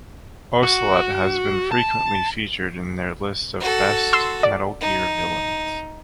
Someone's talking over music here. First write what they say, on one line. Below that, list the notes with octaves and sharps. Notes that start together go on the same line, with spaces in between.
Ocelot has been frequently featured in the lists of best "Metal Gear" villains.
F#4
A5
F#4 A4
C6 E6
D5
D#4